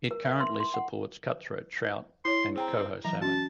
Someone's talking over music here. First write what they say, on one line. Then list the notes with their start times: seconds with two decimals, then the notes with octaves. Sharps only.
It currently supports cutthroat trout and coho salmon.
0.11 A#4
0.25 E5
0.40 C6
0.60 C6
0.74 F#5
2.25 E4 C#5 C6
2.55 C4 G#4 G5 A#5
3.05 E3 F#3 A#5
3.22 C#4 F#4 A5